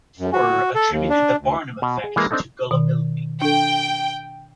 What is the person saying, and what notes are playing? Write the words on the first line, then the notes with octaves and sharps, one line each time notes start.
Forer attributed the Barnum effect to gullibility.
F#2
F#4
A4
D#2
D4
D2
B2
G#4
E3 G#3 A#3
C4 D4 D#4 A4
B2 D#3
D4 A4 G5